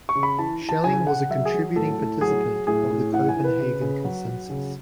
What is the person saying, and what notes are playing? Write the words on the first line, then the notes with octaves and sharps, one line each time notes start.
Schelling was a contributing participant of the Copenhagen Consensus.
C#6
C#3
B5
E3 A5
E3
A5
C#3 G#5
C#3 F#5
F#3 E5
G#4
F#3
A2 A4
A2
F#3 G#4
F#3
A2 G#4
A2
E3 F#5
G#5
E3
B4
C#3
C#3
F#3
F#3
C#3